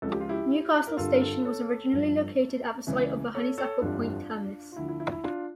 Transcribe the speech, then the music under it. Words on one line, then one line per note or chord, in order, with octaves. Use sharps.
Newcastle station was originally located at the site of the Honeysuckle Point Terminus.
C#2 C#3 F3 A4
G4
F4
E4 G4
A#4
G1 G2 D3 G3 F4 A4
A#4
F4 A4
A4 C#5
G1 G2 F3
C#2 C#3 E3
A4 C#5
A4 C#5
G1 F2 E3 G3 D4 F4
F4
D2 D3 F3 E4
E4
E4
E4
D4 F4